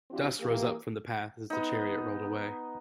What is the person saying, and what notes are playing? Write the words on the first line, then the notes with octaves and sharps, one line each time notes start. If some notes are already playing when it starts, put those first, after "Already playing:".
Dust rose up from the path as the chariot rolled away.
F3 C4 D4 E4 F#4 G4
E3 A#3 G4
B3 D#4